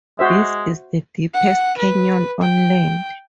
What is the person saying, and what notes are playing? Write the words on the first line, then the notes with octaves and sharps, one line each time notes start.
This is the deepest canyon on land.
G#3 F#4 C5 E5
F#5
B4
G5